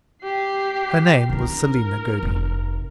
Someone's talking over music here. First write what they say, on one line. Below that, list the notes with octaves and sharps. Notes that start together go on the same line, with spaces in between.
Her name was Selina Goby.
G4 C7
D4 E4 A#4
F1